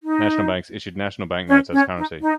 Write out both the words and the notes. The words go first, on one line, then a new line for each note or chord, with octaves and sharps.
National banks issued National Bank Notes as currency.
D#4
C#4
C#4
D#4
D#4